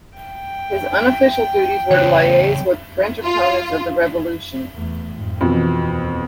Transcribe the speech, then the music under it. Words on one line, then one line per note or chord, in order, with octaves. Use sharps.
His unofficial duties were to liaise with French opponents of the Revolution.
G5
E2 C#3 C#5 F#6
F4
E2 A3
F2 G#2
F2 B2 D#3 E3
D#2 B3